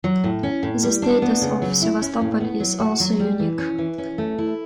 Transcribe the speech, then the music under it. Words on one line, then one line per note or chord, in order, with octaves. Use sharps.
The status of Sevastopol is also unique.
F#3
A2
C#4
A2
G3
D4
B3
C#3
F#3
E4
C#4
A2
B3
F#3
F#4
F#3
G3
E3
C#4
E3
C#4
A3
E4